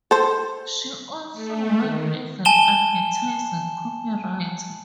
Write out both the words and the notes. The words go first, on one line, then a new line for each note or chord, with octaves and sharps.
She also worked as an advertising copywriter.
A4 C5
A3
D#3
G#5 A5 E7 G7